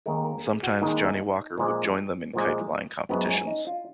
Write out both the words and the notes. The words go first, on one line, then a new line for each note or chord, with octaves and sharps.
Sometimes Johnny Walker would join them in kite-flying competitions.
D#2 D#3 G#3 A#4
A#4
G#4
F#4
D#2 D#3 G#3 D#4
A#2 F3 G#3
A#2 F3 G#3
F#2 F3 G#3 B3
C#4
D#4
F4